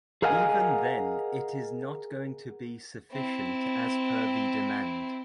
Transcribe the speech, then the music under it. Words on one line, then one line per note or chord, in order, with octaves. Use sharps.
Even then it is not going to be sufficient as per the demand.
G#4 A#4 D#5 F5 F#5 G#5
C4 E4